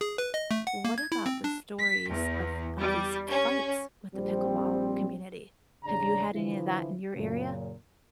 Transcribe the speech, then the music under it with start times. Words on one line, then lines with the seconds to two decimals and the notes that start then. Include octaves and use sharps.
What about the stories of all these fights with the pickleball community? Have you had any of that in your area?
0.01 G#4
0.18 B4
0.34 D#5
0.51 A3
0.67 F#5
0.85 A#3
0.98 G#6
1.12 E4
1.26 C4
1.44 D4
1.79 B6
2.09 E2
2.79 G3
3.29 C#4
4.15 A#1 G3 C4
5.84 A1 C#3 D4 D5 A#5
6.34 D3 E3 F3 E4
7.16 F#2 A#2 C#3